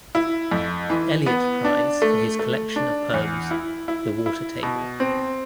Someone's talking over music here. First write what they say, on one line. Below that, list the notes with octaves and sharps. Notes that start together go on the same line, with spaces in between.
Eliot Prize for his collection of poems, "The Water Table".
E4
F2
E3
B3
D4
A3
A3
D4
E2
E4
E4
E4
B2
C4